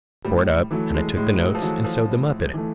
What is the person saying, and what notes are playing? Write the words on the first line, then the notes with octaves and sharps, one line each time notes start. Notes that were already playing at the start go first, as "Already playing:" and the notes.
I tore it up, and I took the notes and sewed them up in it.
A2 G3
E3 F#3 A3
G#3
A2 G#3
F#3
F3
E3 F#3 A3
F3
A2
E3 A3